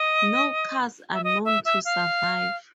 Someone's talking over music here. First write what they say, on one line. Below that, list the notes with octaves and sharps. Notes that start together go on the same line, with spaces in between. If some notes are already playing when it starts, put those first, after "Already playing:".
No cars are known to survive.
Already playing: D#5
E5
D#5
E5
E5
F5